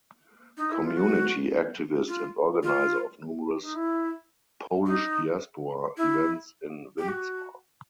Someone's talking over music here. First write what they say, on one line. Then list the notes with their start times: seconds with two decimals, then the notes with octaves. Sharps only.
Community activist and organiser of numerous Polish diaspora events in Windsor.
0.57 D#4
0.71 E4
0.84 F4
0.97 F#4
2.08 F4
2.63 F4
3.62 D#4
3.75 E4
4.86 D#4
5.97 E4
6.98 G4
7.08 F#4